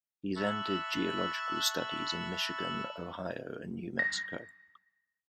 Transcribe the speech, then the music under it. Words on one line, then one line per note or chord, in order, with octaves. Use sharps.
He then did geological studies in Michigan, Ohio, and New Mexico.
E5 A5 B5 C#6 E6 F#6
A#6